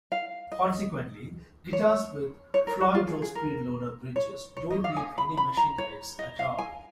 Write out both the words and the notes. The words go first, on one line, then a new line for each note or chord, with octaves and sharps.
Consequently, guitars with Floyd Rose SpeedLoader bridges don't need any machine heads at all.
F5
D#5
C#5
C#5
A#4
F#4
F4
G#4
G#4
A#4
C#5
C#5
D#5
F5
G#5
B5
B5
A#5
C#5
D#5
F5
G#5